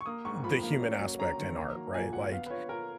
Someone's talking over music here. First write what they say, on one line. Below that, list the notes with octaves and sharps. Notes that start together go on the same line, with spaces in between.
the human aspect in art, right? Like,
C#6
A#3 D#6
G#2 C#6
F3 B5
A#3
C#4
F#3
C#4 A#5
D#3
A#3
F#3
A#2 G#5
F#3 F#5
B3 F5
B4
F4 C#5
F4 A#4